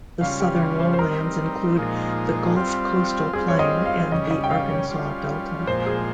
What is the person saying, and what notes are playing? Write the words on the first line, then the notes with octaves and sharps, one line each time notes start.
The southern lowlands include the Gulf Coastal Plain and the Arkansas Delta.
C#3 G3 C#4 F4 F5
G4
C5
C5
G3 C4 D#4 A#4
A#2 F3 G#3 D#4
G3 C4 F4
G3 C4 F4 G#4
C#5
D#5
F5
C#3 G3 C#4 D#5
D#5
G5
F5
C#5
G3 C#4 F4
A#2 F3 G#3 C5
G#4